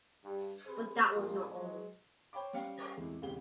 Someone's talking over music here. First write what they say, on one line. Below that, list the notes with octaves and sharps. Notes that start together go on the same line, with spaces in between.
But that was not all.
G2
C3 G#4 B4 C5
A#1 F2 A#2 A#3 F4 G#4
F#3 G#3
C5 C#5 G5 B5 D6
G3 C#4 F5 G5 C#7
E2 A2 C3 G#3 E4
E1 C2 C#3 G#3 G4 G7